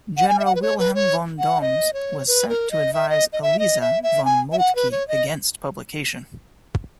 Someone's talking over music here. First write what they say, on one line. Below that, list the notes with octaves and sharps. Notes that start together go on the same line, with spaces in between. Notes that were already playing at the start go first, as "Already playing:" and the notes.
General Wilhelm von Dommes was sent to advise Eliza von Moltke against publication.
F#5
G#5
E5
F#5
B4
C#5
B4
C#5
F#5
D#5
C#5
B4
A#4
D#5
E5
D#5
D#5
E5
D#5
E5
E5
G#5
E5
F#5
B4
C#5
D#5